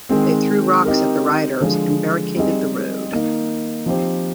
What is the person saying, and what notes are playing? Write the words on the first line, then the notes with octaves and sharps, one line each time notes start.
They threw rocks at the riders, and barricaded the road.
D#3 G#3 C4
C4 D#4 G4 A#4
D3 F3 G#3
G3 C4 D#4 G#4 D#5
D#3 A#3 D#4
F3 C4 D#4 G4 C5